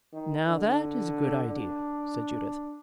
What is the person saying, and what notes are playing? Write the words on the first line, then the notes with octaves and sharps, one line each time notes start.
"Now that is a good idea," said Judith.
D#3
D3
D4